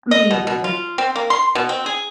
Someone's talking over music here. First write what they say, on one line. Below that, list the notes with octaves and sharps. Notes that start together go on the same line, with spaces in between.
I mean, he was
D#5
B2
B2
F4
C4
A#3
C6
B2
C4
G#4